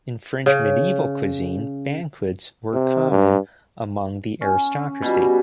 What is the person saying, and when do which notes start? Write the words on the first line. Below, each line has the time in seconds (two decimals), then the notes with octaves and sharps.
In French medieval cuisine, banquets were common among the aristocracy.
0.46 C#3
2.74 C3
3.11 G2
4.41 C#4
5.02 B2 G3